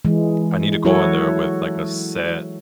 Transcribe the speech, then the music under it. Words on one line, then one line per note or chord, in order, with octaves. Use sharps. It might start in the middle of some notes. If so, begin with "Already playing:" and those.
I need to go in there with, like, a set,
E3 G#3
F#3 E4 F#4 A4 C#5